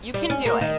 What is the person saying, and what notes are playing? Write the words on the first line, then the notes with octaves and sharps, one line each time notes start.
You can do it.
G3
C#4
A#3
D#3